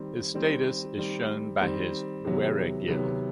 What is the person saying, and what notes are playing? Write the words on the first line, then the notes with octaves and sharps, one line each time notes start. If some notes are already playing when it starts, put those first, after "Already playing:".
His status is shown by his "weregild".
Already playing: D#3 G3 C4
D#3 G3 C4
D#3 G3 C4
D#3 G3 C4
C3 D#3 F#3 B3
C3 D#3 F#3 B3